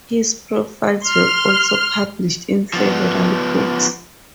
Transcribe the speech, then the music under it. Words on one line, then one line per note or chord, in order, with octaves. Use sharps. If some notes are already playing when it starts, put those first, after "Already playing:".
His profiles were also published in several books.
C6 F6
F3 B3